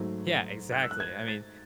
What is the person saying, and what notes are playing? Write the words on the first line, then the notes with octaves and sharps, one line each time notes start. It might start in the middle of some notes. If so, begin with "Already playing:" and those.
Yeah, exactly, I mean,
Already playing: G#2 F#3 A3
F#6
E6
F#6
G#6
A6